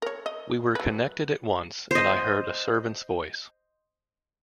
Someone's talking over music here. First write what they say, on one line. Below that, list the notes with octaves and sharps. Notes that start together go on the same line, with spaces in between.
We were connected at once, and I heard a servant’s voice.
A#4 C#5
D#5
F#3 B4
C5 D#5